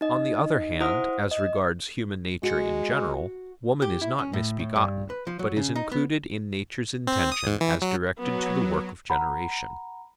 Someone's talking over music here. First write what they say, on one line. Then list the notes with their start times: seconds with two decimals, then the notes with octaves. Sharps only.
On the other hand, as regards human nature in general, woman is not misbegotten, but is included in nature's intention as directed to the work of generation.
0.01 D#4 D#5
0.80 E4 C5 F#5 D#6
1.31 D#5
2.43 G#3 F#4
3.82 G4
4.01 E4
4.19 C#4
4.33 A2
4.59 A2
4.76 G2
5.10 B4
5.27 F3
5.39 F#3
5.57 C#3
5.76 D#4
5.92 B3
7.07 C4
7.32 D#6
7.47 G#2
7.61 E3
7.82 F#3
8.19 F#3 B3
9.10 F#5 A#5 B5